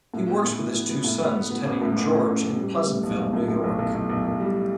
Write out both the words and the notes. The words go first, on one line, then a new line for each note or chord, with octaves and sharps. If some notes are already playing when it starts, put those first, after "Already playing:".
He works with his two sons Teddy and George in Pleasantville, New York.
A2
B3
A2
E3
B3
B3
A2
B3
B3
B3
A1
A2
A1
A2
A1
A1
G3
G3
A2
B1
B1
A2
A2
B1
B1
B1
B1
B1
G3